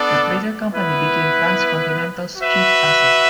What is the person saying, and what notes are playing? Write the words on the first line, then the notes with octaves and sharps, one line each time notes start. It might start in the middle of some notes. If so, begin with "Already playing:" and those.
The trailer company became Trans Continental's chief asset.
Already playing: B3 D4 A4 D5
B3 E4 B4
F#4 B4 E5